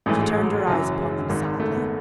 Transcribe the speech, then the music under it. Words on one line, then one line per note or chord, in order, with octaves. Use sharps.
She turned her eyes upon them sadly.
A1 G#2 E3 A3
G#3
F#3
G#3
F#1 F#2 E3 F#3
G#3
G#1 G#2 D#3
A3
B3